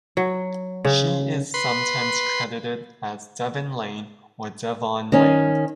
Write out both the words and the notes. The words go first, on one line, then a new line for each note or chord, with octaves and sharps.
She is sometimes credited as Devin Lane or Devon Lane.
F#3
C#3
B4 C6
D#3 C#4